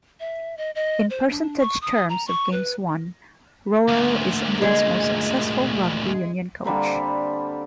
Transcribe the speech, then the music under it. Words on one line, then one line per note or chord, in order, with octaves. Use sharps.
In percentage terms of games won Rowell is England's most successful rugby union coach.
E5
D#5
D#5
C5
D4
C#6
D#6
A#5
C#6
B4
D2 A#2
G#3
D3 G3 A#3 C4